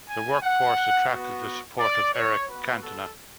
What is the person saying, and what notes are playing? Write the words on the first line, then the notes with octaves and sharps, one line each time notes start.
The workforce attracted the support of Eric Cantona.
G#5
F#5
B3 F#4
D5
C#5
B3 F#4 B4
A4